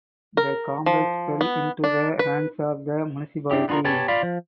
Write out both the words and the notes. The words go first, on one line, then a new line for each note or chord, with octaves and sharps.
The complex fell into the hands of the municipality.
A#4
F3
B3
D4
B4
D4 E4 G4
B3 D4 F4 F#4 A#4
B3 G4 B4 C#5 G#5 A5
F4 D5 F5 B5
F3